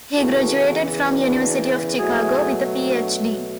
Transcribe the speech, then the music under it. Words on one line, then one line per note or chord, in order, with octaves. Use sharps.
He graduated from University of Chicago, with a PhD.
E2 C#3 E3 F#4 A4
D4 F#4
B2 F#3 A3 E4 G#4
D4 F#4